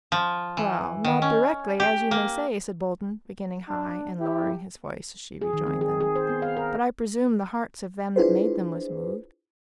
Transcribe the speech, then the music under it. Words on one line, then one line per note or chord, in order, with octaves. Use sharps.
"Well, not directly, as you may say," said Bolton, beginning high, and lowering his voice as she rejoined them, "but I presume the hearts of them that made them was moved."
F3
E3
D#3
C#4
G4
A#3
D4
E4 G4
G#4
D#3
C4
G#4
G#4
C5
B3
F5
A#4
D4 E4 F4 G#4 B4 C5